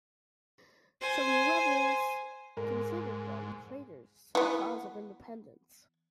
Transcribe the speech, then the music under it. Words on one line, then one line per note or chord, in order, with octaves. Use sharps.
Some Rebels considered them traitors to the cause of Independence.
C5 G#5
G#2 A#4
E3 B3